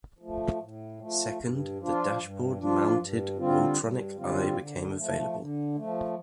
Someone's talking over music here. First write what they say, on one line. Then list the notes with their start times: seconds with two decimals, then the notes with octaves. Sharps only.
Second, the dashboard-mounted "Autronic Eye" became available.
0.19 F3 A3
0.59 A2
0.99 F3 A3
1.38 G2
1.78 F3 D4 F4
2.19 G2
2.58 F3 D4 F4
2.97 G2
3.37 D3 G3 C4 F4
3.77 G2
4.17 D3 G3 C4 F4
4.57 D3
4.96 F3 A3
5.36 D3
5.75 F3 A3